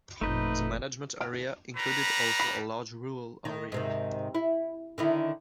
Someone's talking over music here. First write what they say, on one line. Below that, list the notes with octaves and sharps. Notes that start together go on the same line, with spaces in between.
The management area included also a large rural area.
G1 F2 A#2 A3 D#4 B4 G6
G3 B4 A#5
D#3
G#2 C3 D#3
E4
D3 D#3 E4